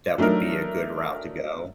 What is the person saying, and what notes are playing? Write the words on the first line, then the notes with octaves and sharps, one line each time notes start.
that would be a good route to go.
F#3 A3 D4 D#4 A#4